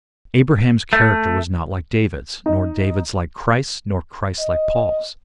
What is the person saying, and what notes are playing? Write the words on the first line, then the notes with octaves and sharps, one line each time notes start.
Abraham's character was not like David's, nor David's like Christ's, nor Christ's like Paul's.
A3
D#4
D#5